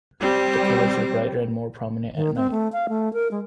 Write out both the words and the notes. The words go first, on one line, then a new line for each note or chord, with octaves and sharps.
The colors are brighter and more prominent at night.
G3 C4
D#3
C4
A3
F5
A3
A#4
G#3